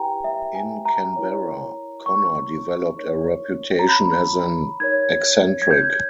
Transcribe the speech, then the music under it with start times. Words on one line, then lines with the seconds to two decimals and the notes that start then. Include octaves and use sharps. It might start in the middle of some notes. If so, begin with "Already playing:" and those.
In Canberra, Connor developed a reputation as an eccentric.
Already playing: E4 G4 B4 G5 G#5 A#5
0.24 E5
0.55 G#5
0.85 A#5
1.16 E4 A#4 C#5
2.06 C#6
2.98 D#4 A#4 C#5
3.79 A#5
3.89 B5
4.80 D#4 A#4 C#5 G#6
5.62 G#6
5.71 G6